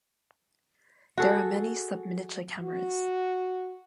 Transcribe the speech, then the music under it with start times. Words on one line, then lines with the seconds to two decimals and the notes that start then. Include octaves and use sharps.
There are many subminiature cameras.
1.18 F#4 G#4 A4
2.63 F#4